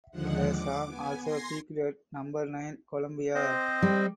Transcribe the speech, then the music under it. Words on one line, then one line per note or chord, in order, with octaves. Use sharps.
The song also peaked at number nine Colombia.
D#2 D3 F3 G#3 F#5
D6
B3 G#5
C6 G#6 A#6 C7
C4 C5 D#5
G3